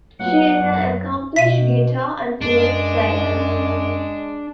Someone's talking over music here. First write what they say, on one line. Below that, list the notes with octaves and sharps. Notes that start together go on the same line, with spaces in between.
She is an accomplished guitar and flute player.
F#3 B3 F4 F#5
F#2
B2 E5 B6 D#7
F#2 G#3 D4